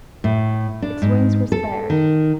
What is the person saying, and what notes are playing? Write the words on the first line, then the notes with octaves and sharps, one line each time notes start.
Its wings were spared.
A2
D4
G#2
A4
D#3